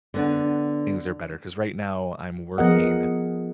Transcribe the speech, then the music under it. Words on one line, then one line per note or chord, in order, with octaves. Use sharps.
things are better. 'Cause right now, I'm working
D3 B3 D4
F3 B3 G#4 A#4 D#5 F#5